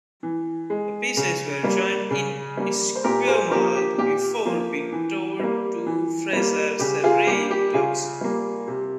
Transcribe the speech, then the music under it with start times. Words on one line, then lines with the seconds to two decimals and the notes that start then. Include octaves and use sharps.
The pieces were joined in Esquimalt before being towed to Fraser Surrey Docks.
0.23 E3
0.70 G#3
1.17 C#3
1.63 G3 A#3
2.11 C#3
2.57 G3 A#3
2.96 C5
3.04 A#2 G4 A#4
3.28 G#4 C5
3.51 F3 A#3 G4 A#4
3.75 G4
3.98 A#2 G4
4.45 F3 A#3
4.92 E3
5.40 G3 A#3
5.86 E3
6.33 G3 A#3
6.80 C#3 G4
7.04 F4 G#4
7.27 G3 A#3 G4
7.51 G4
7.74 C#3 F4 G#4
8.21 G3 A#3
8.68 C3